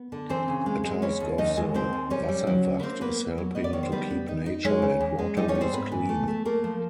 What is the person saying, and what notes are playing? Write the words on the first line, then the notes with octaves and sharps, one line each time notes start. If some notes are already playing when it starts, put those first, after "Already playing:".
A task of the Wasserwacht is helping to keep nature and waterways clean.
Already playing: B3
D3
E3 C4 C5
C#3
G#3
G#3
B3 C#4 C#5
D#2
D#2 D#4 D#5
G#3
D#2 C4 C5
D#2
G3 C#4 C#5
G3
F#3
D3
B4
A#3 C4 C5
A#3 B3 B4
B3
F#3
B3 D#5
D5
D#3 C#5
C5
G3 B3 B4
B3
D#4
D#4
G#3 C#4 C#5
C#3
E2
G#3
G3 D#4 D#5
C#4 C#5
B3
C4 C5
G#2 B3 B4
E3
A3
A3
A3 A#3 A#4
F3